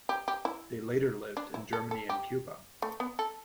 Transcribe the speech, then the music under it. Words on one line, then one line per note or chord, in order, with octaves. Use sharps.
They later lived in Germany and Cuba.
G4
G4
E4
D4
E4
A4
A4
G4
A3
B3
A4